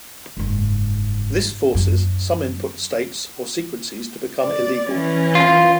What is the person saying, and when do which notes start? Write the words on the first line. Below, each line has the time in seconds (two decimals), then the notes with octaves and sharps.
This forces some input states or sequences to become illegal.
0.37 F#1 G#2
1.75 F#2
4.41 D5
4.91 E3 C#4
5.35 F4